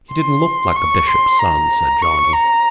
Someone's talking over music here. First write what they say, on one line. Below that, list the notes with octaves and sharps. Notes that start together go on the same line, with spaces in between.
"He didn't look like a bishop's son," said Johnny.
C6
C#6
C6
A#5
C#6
A#5